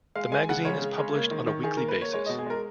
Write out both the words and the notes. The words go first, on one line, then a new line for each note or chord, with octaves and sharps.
The magazine is published on a weekly basis.
G#3 F5
G#3 G#5
C#3 F#5
G#3 C#5
C#3
G#3
A#3
D#3
D#3
D#3 G#4
A#3 A#4
B4
A#3 C#5
G#3 C#5
B2 D#5
G#4
G#3 A#4